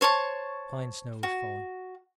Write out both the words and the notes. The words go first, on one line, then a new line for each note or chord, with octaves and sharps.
Fine snow was falling.
C5 C#5 A5 C#6
F#4